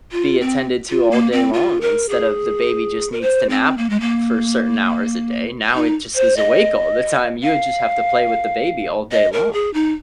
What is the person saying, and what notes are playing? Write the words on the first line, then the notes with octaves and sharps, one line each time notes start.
be attended to all day long instead of the baby just needs to nap for certain hours a day, now it just is awake all the time. You would just have to play with the baby all day long.
F4
C4
F4
A#3
C4
F4
A#4
G#4
A#4
C5
C4
A#3
G#3
A#3
D#4
C5
D#5
F5
D#5
A#4
G#4
D#4